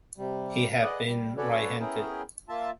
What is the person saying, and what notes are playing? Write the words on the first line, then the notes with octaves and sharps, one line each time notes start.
He had been right-handed.
C3 G3
G#4 B4 D5 D#5 F#5
G3
C#4 F#4 A4 B4 C#5 D5
B3 C#4 E4 G#4 A#4 G5
A#3 F4 E5 A5